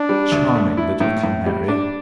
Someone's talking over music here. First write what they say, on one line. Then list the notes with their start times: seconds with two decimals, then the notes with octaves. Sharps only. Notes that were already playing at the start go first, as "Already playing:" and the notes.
Charming little Canary!
Already playing: D4
0.09 G3
0.32 D2
0.55 A3
0.77 E4
1.00 A2
1.24 A2
1.46 G3
1.68 D4